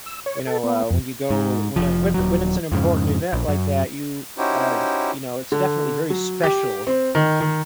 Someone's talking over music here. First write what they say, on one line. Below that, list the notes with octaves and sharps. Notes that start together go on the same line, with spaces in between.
You know, uh, when you go when a whe th when it's an important event like that, you, uh, you know, it's definitely very special
E6
C#5
A4
B3
F2
G#2
F1 F3
D#1 F#3
F2 G#2 C#3
A#1
F#2
C#4 D#4 E4 F#4 G4 C5
D3
F#3
G4
C4
D#3
D#3